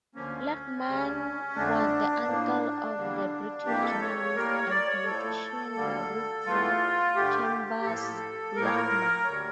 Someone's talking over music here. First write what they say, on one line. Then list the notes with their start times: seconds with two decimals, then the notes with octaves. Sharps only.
Lehmann was the uncle of the British journalist and politician Rudolf Chambers Lehmann.
0.15 D2 D3 F3 A#3 C#4
0.85 D2 C#3 G3
1.55 F2 D3 A3 D4
2.26 A2 F3 A#3
2.96 E2 D3 G3 A#3
3.65 F2 E3 A#3 G4
3.82 A4
4.01 C#5
4.18 C#5
4.35 A2 G3 A#3 A#4
4.53 C#5
4.70 D5
4.88 C#5
5.05 A2 F3 A3 A4
5.75 D2 D3 G3 A#3
6.45 E2 E3 A3 F4
7.15 G2 D3 A3 G4
7.81 G4
7.85 A2 F3 A#3 A4
8.56 A2 F3 A#3 A#4
8.65 C#5
8.75 A#4
9.25 D2 D3 G3 C#5